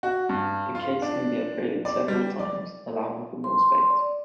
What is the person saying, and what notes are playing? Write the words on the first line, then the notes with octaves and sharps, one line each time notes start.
The case can be upgraded several times, allowing for more space.
F#4
G2
F4
D4
D5
G3
D5
C6
D5